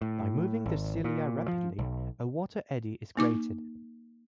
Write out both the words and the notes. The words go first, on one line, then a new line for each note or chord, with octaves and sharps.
By moving their cilia rapidly, a water eddy is created.
A2
G#1
A#2
F3
B1
A#3 D#4 D6